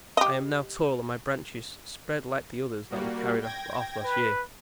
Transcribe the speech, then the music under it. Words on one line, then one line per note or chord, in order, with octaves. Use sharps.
I am now tall, and my branches spread like the others that were carried off last year!
G4 D#5
G3 A#3 F#4
G5 G#6 A#6
B4